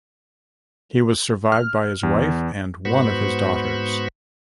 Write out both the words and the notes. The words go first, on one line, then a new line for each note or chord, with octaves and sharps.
He was survived by his wife and one of his daughters.
F6
E2
G#2 B3 F#4 C5 B5 C#6